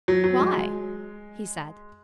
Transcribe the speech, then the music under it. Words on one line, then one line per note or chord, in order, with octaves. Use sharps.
'Why,' he said.
F#3
F#3
G#3